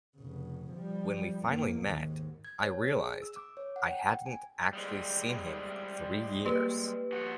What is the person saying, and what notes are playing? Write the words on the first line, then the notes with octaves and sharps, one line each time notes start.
When we finally met, I realized I hadn't actually seen him in three years.
F1 C#3
F3 G3
F#2 A#3
D#2 G#2
G#6
C#5
G#4
E6
D6
C#5
F#5
G5
G#5
G3 G#3 C4
A#3 G4 B4
F3 F#4